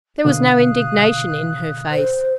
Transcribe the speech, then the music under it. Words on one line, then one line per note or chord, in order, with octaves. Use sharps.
There was no indignation in her face.
B2 D3 F5 D#6 F#6
C5